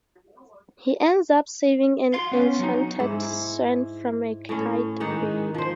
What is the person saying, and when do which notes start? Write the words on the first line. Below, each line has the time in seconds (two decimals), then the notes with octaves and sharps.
He ends up saving an enchanted swan from a kite bird.
2.14 F5 C6
2.32 B3 C#4
2.59 F#3 D#4
3.00 G#2 E4
4.49 A2 C#4
5.00 G#2 D#3 D#4 F#5
5.54 F3 C5